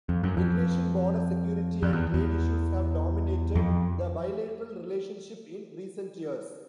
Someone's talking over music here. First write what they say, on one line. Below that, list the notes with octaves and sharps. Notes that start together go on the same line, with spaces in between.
Migration, border security and trade issues have dominated the bilateral relationship in recent years.
F2
F#2
F2
F2
E2
E2
F2